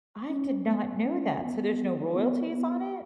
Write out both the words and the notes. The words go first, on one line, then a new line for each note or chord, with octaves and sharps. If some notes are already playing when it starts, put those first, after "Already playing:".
I did not know that. So, there's no royalties on it?
C#4
B3
C#4
B3
B3
B3